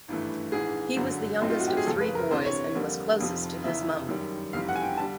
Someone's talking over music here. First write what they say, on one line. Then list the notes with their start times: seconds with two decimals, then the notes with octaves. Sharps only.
He was the youngest of three boys and was closest to his mum.
0.08 G#1 G2 E3 A3
0.52 A#1 G#2 E3 G#4
0.96 G1 F#2 D3 F#3
1.42 A2 F#3 A3 C4 D#4
1.50 F4
1.60 F#4
1.68 G4
1.77 G#4
1.85 F#1 F2 C#3 A4
2.01 B4
2.15 A#4
2.31 D2 C3 E3 C5
2.45 C#5
2.75 F2 D3 G3 A#3
3.20 F1 F2 C3 F3
3.64 F1 E2 C#3 E3 E5
4.09 F#2 D#3 G3
4.53 F1 F2 C3 E3 G3 F5
4.69 F#5
4.76 G#5
4.82 G5
4.98 D3 G3 A5